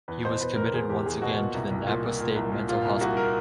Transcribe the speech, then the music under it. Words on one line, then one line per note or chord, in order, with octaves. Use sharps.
He was committed once again to the Napa State Mental Hospital.
E2 B4
B2 C5
B2 B4
E2 A#4
E2 G#4
E2 G4
E2 G#4
B2 F#4
A#2
C2
C2
A#2
A#2
A#2
C2
A#2
A#2 F4
C2
C2 F#4
A#4